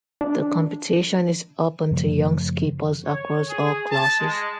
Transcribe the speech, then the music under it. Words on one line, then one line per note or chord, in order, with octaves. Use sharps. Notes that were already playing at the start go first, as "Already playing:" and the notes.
The competition is open to young skippers across all classes.
D4
F#2 C#3 F3 A3
C#5
G#4
A5
G#3